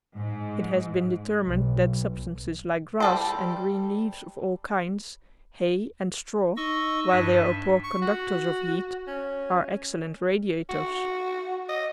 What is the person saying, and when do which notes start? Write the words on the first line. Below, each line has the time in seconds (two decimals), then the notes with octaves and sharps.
It has been determined that substances like grass and green leaves of all kinds, hay and straw, while they are poor conductors of heat, are excellent radiators.
0.16 G#2
1.44 B1
3.00 G3 A4 C5
6.57 D#4 D#5 C#6 E6
7.09 G2 B6 D#7 E7
7.83 C#6
8.02 F#4
9.07 C#4
10.69 F#4
11.69 D#5